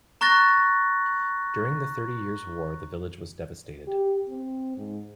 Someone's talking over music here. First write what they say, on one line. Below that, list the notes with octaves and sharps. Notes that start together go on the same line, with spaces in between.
During the Thirty Years' War the village was devastated.
A#5 C#6 F#6 A6 A#6
G4
C4
G#2